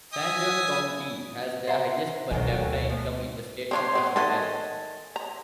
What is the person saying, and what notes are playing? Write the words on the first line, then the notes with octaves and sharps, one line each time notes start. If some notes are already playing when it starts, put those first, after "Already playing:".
San Juan county has the highest per capita income in the state of Washington.
E5 G#5 D#6
C5 E5 F#5 A#5
D2 B2 D3 D#3 F#3 G#5
F3
C4 D4 C5 C#5 C6
B3 C4
D#3 A3 B3 D#5 G#5 A5
A#5